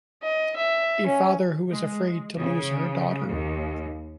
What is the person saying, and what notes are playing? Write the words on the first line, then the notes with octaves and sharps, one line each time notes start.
A father who is afraid to lose her daughter.
D#5
E5
C#4
G#3
C#3
D#2